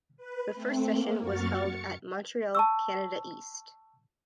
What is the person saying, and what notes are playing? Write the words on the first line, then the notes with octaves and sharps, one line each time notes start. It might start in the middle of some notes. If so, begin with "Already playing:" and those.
The first session was held at Montreal, Canada East.
B4
A3 C4
A#3
F#2 F#4 C#6 F6 A6
C#7
A5 C#6 E6